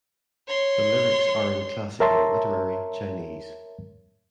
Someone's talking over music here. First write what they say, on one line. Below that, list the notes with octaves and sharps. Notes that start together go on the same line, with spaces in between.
The lyrics are in classical literary Chinese.
C#5 C6
A#4 C#5 E5 A5 A#5 C6